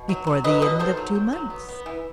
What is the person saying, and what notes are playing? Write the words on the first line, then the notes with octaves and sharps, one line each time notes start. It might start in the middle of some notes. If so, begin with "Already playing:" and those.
"Before the end of two months."
Already playing: B2
F#3
F#3
F#3 B4 D#5
B2 B4 D#5
D#3 A4 C5
F#3
D#3
F#3
B3
B3
E3